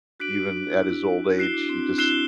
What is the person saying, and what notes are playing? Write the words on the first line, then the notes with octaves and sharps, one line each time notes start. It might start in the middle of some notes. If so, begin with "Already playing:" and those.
even at his old age, he just
D4 F#4 F#6 B6 D7 F#7
E4
D4 F#6 B6 D7 F#7
F#4
E4 F#6 C7 E7 G7
D4
C4
D4
E4 F#6 C7 E7 G7